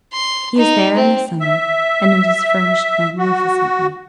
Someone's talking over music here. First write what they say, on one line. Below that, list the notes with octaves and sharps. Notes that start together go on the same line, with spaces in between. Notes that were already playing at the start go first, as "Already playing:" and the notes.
He is there in summer, and it is furnished magnificently.
C6
D#4
C4
E5
F#4